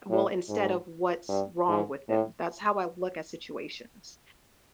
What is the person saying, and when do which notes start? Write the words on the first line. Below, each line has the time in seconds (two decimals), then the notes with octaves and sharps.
Well, instead of what's wrong with them. That's how I look at situations.
0.10 A2
0.49 G#2
1.29 G2
1.69 G#2
2.09 A2